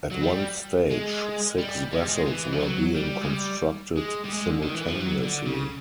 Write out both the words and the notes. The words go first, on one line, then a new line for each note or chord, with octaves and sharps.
At one stage, six vessels were being constructed simultaneously.
F#3
G3
G#3
G3
G#3
G3
G#3
E3
F3
F#3
G3
G#3
G3
G#3
G3
G#3
D3
D#3
E3
F3
F#3
D3
C#3